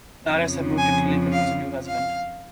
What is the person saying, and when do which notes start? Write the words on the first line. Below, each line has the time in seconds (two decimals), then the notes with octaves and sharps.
Alice had moved to Cleveland with her new husband.
0.25 F2 C#3 F3
0.78 G#5
1.32 F5
1.85 F5